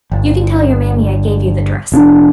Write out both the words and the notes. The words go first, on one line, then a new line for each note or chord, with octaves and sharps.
You can tell your mammy I gave you the dress.
G1
F1 C#4 D4